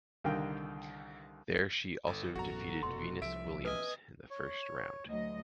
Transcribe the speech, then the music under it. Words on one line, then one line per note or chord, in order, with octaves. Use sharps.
There she also defeated Venus Williams in the first round.
C2 D3 D#3 A#4 F5 G5
G1 A4
A1 F#2 B2 F#4 A#5
F1 B2 C6
C2 F3 E5 D7
B4 D#5 G#5
C#5
D2 F#3 D#5